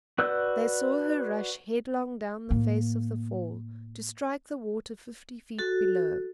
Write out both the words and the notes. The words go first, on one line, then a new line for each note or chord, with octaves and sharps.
They saw her rush headlong down the face of the fall to strike the water fifty feet below.
F#4 B4 D5 E6 G6
A2 A#3
F#4 A4